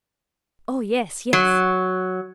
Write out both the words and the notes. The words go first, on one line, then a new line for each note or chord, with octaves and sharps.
"Oh, yes, yes!"
F#3